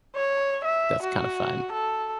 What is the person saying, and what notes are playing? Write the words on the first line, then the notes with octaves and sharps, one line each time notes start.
that's kind of fun
C#5
E5
F#4
A4